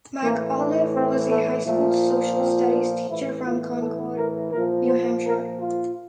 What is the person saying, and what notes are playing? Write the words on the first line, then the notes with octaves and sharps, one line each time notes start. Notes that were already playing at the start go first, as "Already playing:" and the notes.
McAuliffe was a high school social studies teacher from Concord, New Hampshire.
A2 E3 A#3
D4
C4
A3
A#2 F3 A3
C4
D4
A2 E3 E4
F4
A4
A#4
A#2 F3 A#4
C5
A#4
F4